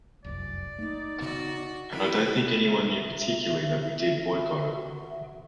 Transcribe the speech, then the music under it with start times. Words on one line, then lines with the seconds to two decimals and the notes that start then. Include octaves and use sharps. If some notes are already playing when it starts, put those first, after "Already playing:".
And I don't think anyone knew particularly that we did boycott it.
0.24 F1 C2 F#2 D5
0.78 A3 A#3 D#4
1.21 C#3 B3 F#4
1.92 E4 G4 B4 B5
2.64 E5
4.72 F#4 E5